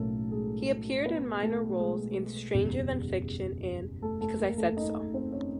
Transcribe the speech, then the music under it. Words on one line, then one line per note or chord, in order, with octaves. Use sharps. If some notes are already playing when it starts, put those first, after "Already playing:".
He appeared in minor roles in "Stranger Than Fiction" and "Because I Said So".
Already playing: B1 A2 F#3 A3 A#3 C#4 A4 A#4
G#3 G#4
B3 B4
A3 A4
G#3 G#4
F#1 E2 B2 G3
A3 A4
A3 A4
A#3 A#4
A3 A4
D#4 D#5
C4 C5
C#4 C#5